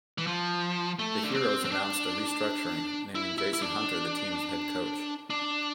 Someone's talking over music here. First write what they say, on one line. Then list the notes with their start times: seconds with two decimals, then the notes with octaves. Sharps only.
The Heroes announced a restructuring, naming Jason Hunter the team's head coach.
0.18 E3
0.27 F3
0.99 A3
1.24 D4
1.34 C4
1.65 C4
1.72 D4
3.15 E4
3.38 E4
3.53 E4
3.63 D4
5.30 D4